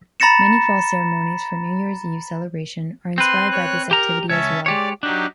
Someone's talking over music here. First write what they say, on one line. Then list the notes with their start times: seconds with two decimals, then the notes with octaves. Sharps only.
Many fall ceremonies for New Year’s Eve celebration are inspired by this activity as well.
0.20 A#5 B5 A6 A#6 C#7 E7
3.18 C4 B4 C6
3.51 C#5 F#6
3.91 G4 A#4 A#5
4.30 C#2 C#4 C#5 E5 A5
4.66 G#3 G4 C#5 D5
5.03 F#3 D4 D#4 G4